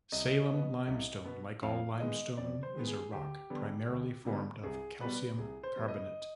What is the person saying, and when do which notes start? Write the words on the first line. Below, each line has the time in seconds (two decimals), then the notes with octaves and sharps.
Salem limestone, like all limestone, is a rock primarily formed of calcium carbonate.
0.12 C2 D#5
0.50 B2 B3
0.87 C2
1.25 B2 B3
1.63 F2 F5
2.00 D#3 G#3 B3 D#5
2.37 F2 D5
2.63 C5
2.75 D#3 G#3 B3
2.87 G#4
3.12 D2 G4
3.50 D3 G3 B3
3.88 D2
4.25 D3 G3 B3
4.63 C2 G#4
5.01 B2 G3 B3 B4
5.38 C2 G#4
5.63 C5
5.76 B2 G3 B3
5.88 D#5